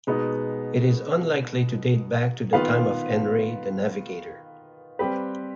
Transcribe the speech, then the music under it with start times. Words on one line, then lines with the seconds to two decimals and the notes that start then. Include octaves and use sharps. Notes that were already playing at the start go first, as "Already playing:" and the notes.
It is unlikely to date back to the time of Henry the Navigator.
0.07 B2 G#3 B3 D#4
2.53 D#3 B3 F4 B4 F5
4.99 G3 C4 G4 B4